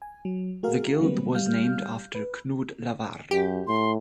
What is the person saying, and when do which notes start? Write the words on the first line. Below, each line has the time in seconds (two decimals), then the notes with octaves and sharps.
The guild was named after Knud Lavard.
0.02 G#5
0.25 F#3
0.63 A3 F#4 G#4 A#4 F5
1.01 D3 F#3 G3 A#3 C4 B4
1.35 G3 F5 F6 G6
2.15 B4
3.31 F#2 G4
3.67 A2 C6